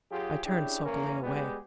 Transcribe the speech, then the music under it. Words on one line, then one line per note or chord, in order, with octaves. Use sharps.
I turned sulkily away.
F#3 F4 G4 G#4
C#4 D4 E4 G4 G#4
E2 A#3 C#4 A#4
G3 G#3 B3 G4